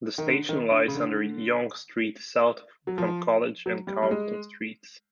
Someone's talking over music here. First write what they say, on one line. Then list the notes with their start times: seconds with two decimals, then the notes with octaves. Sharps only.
The station lies under Yonge Street south from College and Carlton streets.
0.18 D#3
0.27 D3
0.49 D#3
0.71 D3
0.88 C#3
0.95 D3
2.87 F#3
2.98 F3
3.66 F#3
3.87 G3
4.02 G3
4.11 G#3